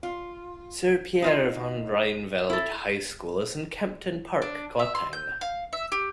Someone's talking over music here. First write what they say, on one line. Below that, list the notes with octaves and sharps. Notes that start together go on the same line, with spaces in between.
Sir Pierre van Ryneveld High School is in Kempton Park, Gauteng.
F4
D#4 F4 D#5
E4 A4
D4
E5
C6
G6
F5
E5
G4